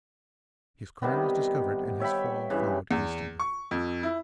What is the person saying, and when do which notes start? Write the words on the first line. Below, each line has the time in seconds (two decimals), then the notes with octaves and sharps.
His crime was discovered, and his fall followed instantly.
1.02 C3 D#3 G3 B3
2.00 C#5 E5 G5 B5
2.50 G2 C#3 E3
2.91 E2
3.40 C#6
3.71 F2
4.03 E4